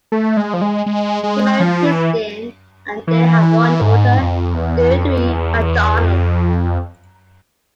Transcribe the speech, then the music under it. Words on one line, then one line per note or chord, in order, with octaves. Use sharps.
He married Christine and they had one daughter, Deirdre MacDonald.
A3
G#3
F3
G#3
G#3
G#3
F3
E3
E3
G#2
F2
E2
F2
E2
F2